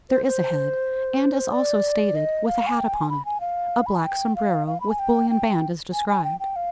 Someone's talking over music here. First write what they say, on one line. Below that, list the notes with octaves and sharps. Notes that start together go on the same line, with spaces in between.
There is a head; and, as also stated, with a hat upon it--a black sombrero, with bullion band as described.
C5
C5
D5
D#5
F5
G#5
G5
G#5
B5
G#5
F5
B5
G#5
G5
F5
F5
B5
G#5
G5
G5
G#5
G#5
G5
G5
F5